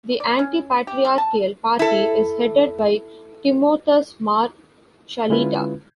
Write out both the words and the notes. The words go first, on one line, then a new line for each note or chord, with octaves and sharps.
The anti-patriarchal party is headed by Timothaus Mar Shallita.
D5
C#4
G4
G3
A5
E4 A4
D3 G#3 C#4 E4 F4 B4